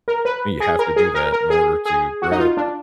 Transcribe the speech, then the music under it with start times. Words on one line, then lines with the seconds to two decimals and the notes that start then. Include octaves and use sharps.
and you have to do that in order to grow.
0.08 A#4
0.25 B4
0.60 G#4
0.79 A#4
0.96 G#4
1.14 A#4
1.32 A#4
1.50 G#4
1.86 G#4
2.22 F#4
2.31 D#4
2.39 F4
2.57 D4